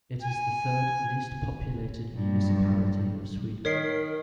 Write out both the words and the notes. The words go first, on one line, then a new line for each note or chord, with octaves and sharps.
It is the third least populated municipality of Sweden.
G#5
G2 F#3
D#3 A#4 C#5 B6 C7